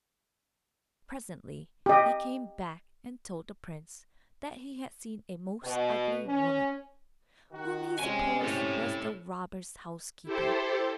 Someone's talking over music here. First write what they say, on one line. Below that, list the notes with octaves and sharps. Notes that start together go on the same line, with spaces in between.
Presently he came back and told the prince that he had seen a most ugly woman, whom he supposed was the robbers' housekeeper.
G4 D#5
B2
C#4
D#3 F#4
C3 G3 C#4 D#5 G#5
A4 C#5
E4 G4 A4 C5